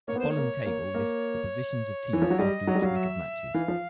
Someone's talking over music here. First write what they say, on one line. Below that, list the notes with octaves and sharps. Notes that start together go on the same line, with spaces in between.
The following table lists the positions of teams after each week of matches.
A#3 C#5
B3
A#3 C5
C#5
A#3
A#3
A#3
E3
F3
F#3
G3 D#5
F#3
G3
F#3 F5
E5
E3 F5
F3